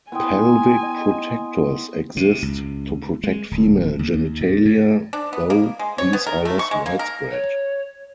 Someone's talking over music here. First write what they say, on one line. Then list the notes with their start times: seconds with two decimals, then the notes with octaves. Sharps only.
Pelvic protectors exist to protect female genitalia, though these are less widespread.
0.12 B3 E4 G5 G#5 C6 D#6
0.83 D#5
2.17 C3
2.42 C#2
3.24 G#3
3.51 D1
3.99 D#2
4.14 D#2
4.41 A2
4.65 G#2
5.13 D4
5.33 B3
5.50 A#3
5.79 G#3
5.98 C#5
6.13 B3
6.27 A#4
6.45 A3
6.59 C#6
6.71 G#3
6.86 A#3
6.99 A#4
7.31 C#5